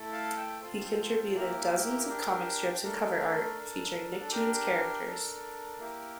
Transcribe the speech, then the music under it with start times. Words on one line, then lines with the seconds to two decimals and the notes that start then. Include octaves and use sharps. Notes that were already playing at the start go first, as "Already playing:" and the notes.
He contributed dozens of comic strips and cover art featuring Nicktoons characters.
Already playing: A3 E4 A4
0.12 F5 A5
0.37 E5 G5
0.61 C4 F4 A4 C5
1.35 A#3 E4 G4 A#4
2.09 D4 G4
2.83 A3 D4 A4 A#4
3.57 D4 A4
4.20 A4
4.31 D4 G4 A#4
5.06 D4 A4
5.79 A#3 E4 G4